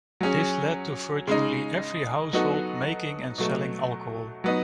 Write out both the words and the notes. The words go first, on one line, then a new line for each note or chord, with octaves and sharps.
This led to virtually every household making and selling alcohol.
F#3 C#4 G#4
C#3 G#3 D#4
F#3 B3 D#4 F#4 A4
B2 F#3 A3
F#3 B3 D#4